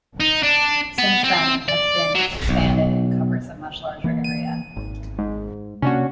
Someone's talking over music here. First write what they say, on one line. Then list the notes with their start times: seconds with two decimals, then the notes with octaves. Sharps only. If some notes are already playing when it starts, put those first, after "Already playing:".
Since then, it has been expanded and covers a much larger area.
0.20 D#4
0.43 D4
0.98 B3
1.24 C4
1.68 D5
2.15 F#3
2.49 B1
4.04 E3 A#3
4.24 D#7
4.77 G#1
5.19 G#2
5.82 C3 A#3 C#4 D4 F#4